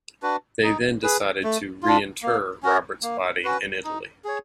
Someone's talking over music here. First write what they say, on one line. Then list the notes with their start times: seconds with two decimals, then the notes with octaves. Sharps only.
They then decided to re-inter Robert's body in Italy.
0.23 D4 F#4 B4
0.63 D#4
1.03 G#4 B4
1.44 A3
1.83 D4 F4
2.23 A#3
2.63 C#4 F#4 A#4
3.03 A#3
3.44 C#4 F#4 B4
3.84 D#4
4.24 G#4 C#5